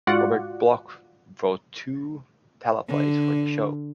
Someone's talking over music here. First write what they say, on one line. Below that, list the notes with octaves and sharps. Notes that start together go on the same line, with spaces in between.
Robert Bloch wrote two teleplays for the show.
G#2 F4 F#4 D5 F#5
D3